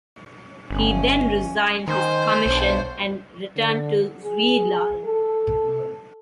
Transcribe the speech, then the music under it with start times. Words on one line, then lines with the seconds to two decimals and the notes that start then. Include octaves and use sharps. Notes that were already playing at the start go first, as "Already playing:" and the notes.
He then resigned his commission and returned to Zuidlaren.
0.70 G1 C#4
1.88 D#3 C5 G#5
2.46 B1 D4 C#5
3.56 D3
4.23 G#4
5.05 A4